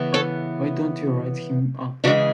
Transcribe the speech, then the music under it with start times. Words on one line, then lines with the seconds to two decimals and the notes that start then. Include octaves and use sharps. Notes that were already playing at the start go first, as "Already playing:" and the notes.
Why don't you write him up?
Already playing: C#3 E3 B3
0.14 A4 C#5
2.04 C#3 E3 G#3 D4 F#4